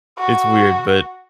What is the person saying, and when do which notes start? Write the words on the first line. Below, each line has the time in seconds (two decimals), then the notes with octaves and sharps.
It's weird, but,
0.19 F#4